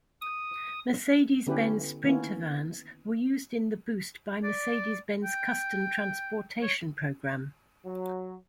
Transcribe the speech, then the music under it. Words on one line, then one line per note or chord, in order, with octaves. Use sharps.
Mercedes-Benz Sprinter vans were used in the Boost by Mercedes-Benz custom transportation program.
D#6
D3 B3 C#4 E4 G4 B4
D#3 A#3 B3 C#4 E4
D5
G5
C#5
F#3